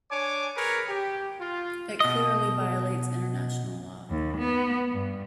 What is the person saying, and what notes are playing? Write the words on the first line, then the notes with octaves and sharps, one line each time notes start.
It clearly violates International Law.
D4 C#5 G#5 D6
G#4 A#4 B4 C#5
G4
F4
B2 D#5
D#2
B3
G2